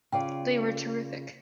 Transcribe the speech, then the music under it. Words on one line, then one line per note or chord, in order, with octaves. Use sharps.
They were terrific.
C#3 F4 D5 G5